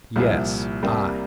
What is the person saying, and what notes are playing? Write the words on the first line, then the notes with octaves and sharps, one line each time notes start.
"Yes, I."
C2 A#2 F3 A#3 E4
C2 C3 G3 A#3